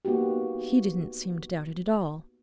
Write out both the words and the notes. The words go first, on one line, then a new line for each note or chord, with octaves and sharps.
"He did'nt seem to doubt it at all."
A#3 B3 D#4 F#4 G4